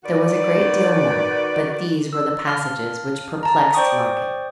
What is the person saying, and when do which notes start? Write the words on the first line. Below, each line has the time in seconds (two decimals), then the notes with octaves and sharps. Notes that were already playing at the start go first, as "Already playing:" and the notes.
There was a great deal more, but these were the passages which perplexed Larkin.
0.03 D#3 F#4 B4 D5
2.13 E6
2.47 F5 A5 C6 F6
3.43 A5 A#5
3.74 C5 D5 G5 C#6 D#6